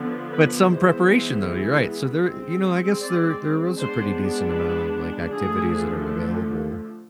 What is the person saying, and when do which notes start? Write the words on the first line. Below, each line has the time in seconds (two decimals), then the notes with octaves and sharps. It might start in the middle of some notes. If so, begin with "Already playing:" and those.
but some preparation though, you're right. So, there you know, I guess there there was a pretty decent amount of like, activities that are available
Already playing: D3 F3 B3
0.32 B4
0.71 E3 G#3 B3 C5
2.24 G#3 C4
3.01 D5
3.77 G#3 B3 D4 C5
4.54 B4
5.31 D3 F3 A3 G#4